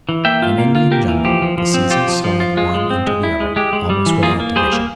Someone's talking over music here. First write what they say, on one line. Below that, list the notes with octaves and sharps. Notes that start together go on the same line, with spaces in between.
In an Indian Jungle the seasons slide one into the other almost without division.
E3
A#3 E5 G5
F4
A#3
F4
A#3 G4 A#4
E3
F3 G4
F3
F3
C4
F4 G4
F3
F3
F4
G#3 F4
G#3
C4
G#3
E4
G#3
G#3 G4
G#3
G3
E3
A#3 F4 G#4
A#3
G3 G#4 C5
A#3